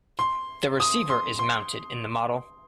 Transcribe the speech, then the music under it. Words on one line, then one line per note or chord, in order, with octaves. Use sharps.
The receiver is mounted in the model.
C6
D#6
C6
C6